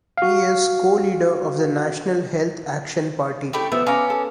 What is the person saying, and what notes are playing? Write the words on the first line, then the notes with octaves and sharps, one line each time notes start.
He is Co-Leader of the National Health Action Party.
F#4 F5
A3 E4 G4
F3 B3 E5
C#4 F5 A#5 D6
A4